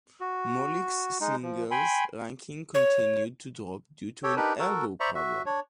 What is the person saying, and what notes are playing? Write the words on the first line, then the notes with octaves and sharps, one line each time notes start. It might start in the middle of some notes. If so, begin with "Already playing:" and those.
Molik's singles ranking continued to drop due to an elbow problem.
F#4
G#3 D#4
F3
G5 G#5 B5 C6
C#5
G4 A4 C#5 G5
D4 D#4 G4 A#4 B4
F#4 A4 A#4
C5 D5 E5 A#5 B5 C#6
F#4 E5
D4 C#5